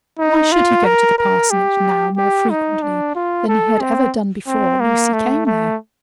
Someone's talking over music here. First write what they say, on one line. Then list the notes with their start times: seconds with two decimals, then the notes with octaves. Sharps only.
Why should he go to the parsonage now more frequently than he had ever done before Lucy came there?
0.19 D#4
0.52 F4
0.85 A#4
1.18 A#4
1.51 G4
2.17 G4
2.50 D#4
2.82 D4
3.15 F4
3.48 A4
3.81 C4
4.47 C4
4.80 A#3
5.13 A3
5.46 A3